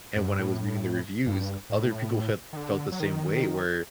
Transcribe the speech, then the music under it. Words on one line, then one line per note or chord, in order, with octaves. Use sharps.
And when I was reading the reviews, other people felt felt the same way where
F#2
G2
A2
G2
A2
D#3
D3
F#3
D#3